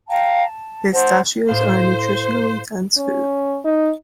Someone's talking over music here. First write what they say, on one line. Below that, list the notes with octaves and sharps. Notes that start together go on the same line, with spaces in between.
Pistachios are a nutritionally dense food.
F5 G5 A5 A#5
A5
C5 F#5 A5
A2 C5 F5
C#4
D#4